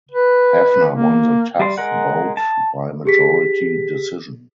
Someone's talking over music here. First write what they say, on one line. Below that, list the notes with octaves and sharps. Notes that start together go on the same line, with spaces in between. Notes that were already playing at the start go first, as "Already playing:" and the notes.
Hafner won the tough bout by majority decision.
B4
A#3
G3 D5 C6
G#3 A#4 F#5
A5
G4 G#4 B6